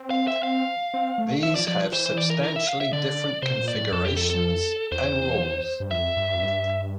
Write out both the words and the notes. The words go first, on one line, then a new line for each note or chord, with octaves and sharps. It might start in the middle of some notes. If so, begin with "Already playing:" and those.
These have substantially different configurations and rules.
Already playing: C4
F5
E5
F5
C4
A3
F3 E5
D5
F3 D5
E3 C5
C5
D5
A#4
A#4
E5
F5
E5
D3 D5
C3 C5
A#2
D5
A2
F2 A4
G4
A4
A4
E2 C5
G2
F2 E5
G2
F2
G2